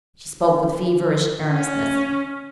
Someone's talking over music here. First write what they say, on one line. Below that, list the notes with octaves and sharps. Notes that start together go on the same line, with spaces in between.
She spoke with feverish earnestness.
C#4